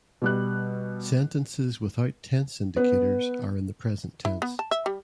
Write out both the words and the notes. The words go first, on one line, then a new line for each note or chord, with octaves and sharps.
Sentences without tense indicators are in the present tense.
B2 G3 F#6
B3
E4
B3
A5
E5
G3